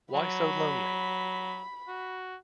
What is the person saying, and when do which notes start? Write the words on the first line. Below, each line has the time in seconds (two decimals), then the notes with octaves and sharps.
Why So Lonely?
0.14 F#3 B5
1.88 F#4